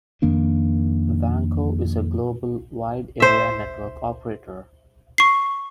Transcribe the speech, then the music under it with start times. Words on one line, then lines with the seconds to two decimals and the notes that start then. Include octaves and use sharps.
Vanco is a global Wide Area Network Operator.
0.22 F2 D#3 A#3 D4
3.20 C5 E5
5.18 C#6 C7